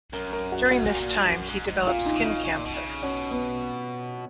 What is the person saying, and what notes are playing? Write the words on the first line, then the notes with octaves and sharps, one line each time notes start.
During this time, he developed skin cancer.
F#2 A#4
A#4
F#4
F#2
G#2 F#4
A#2
A#2
G#2
F#2
G#2
G#2
A#2 F4
D#4
C#3
D#4
C#3
A#2
B2
C#3
B2 C#4
B3